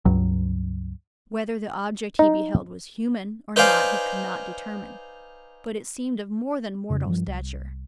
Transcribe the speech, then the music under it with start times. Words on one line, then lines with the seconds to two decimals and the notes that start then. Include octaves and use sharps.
Whether the object he beheld was human or not he could not determine, but it seemed of more than mortal stature.
0.05 C#2 G2 F#3
2.19 D#4
3.56 D#4 B4 C5 D5 F5 G#5
6.90 F2 C#3 C#4
7.05 G2 F3
7.27 C2